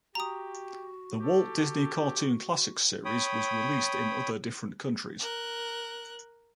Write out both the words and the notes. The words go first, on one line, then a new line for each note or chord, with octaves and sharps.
The Walt Disney Cartoon Classics series was released in other different countries.
F#4 G4 A#5 D#6
G4 A4
C#5 G5 B5 D#6
A#4 F#6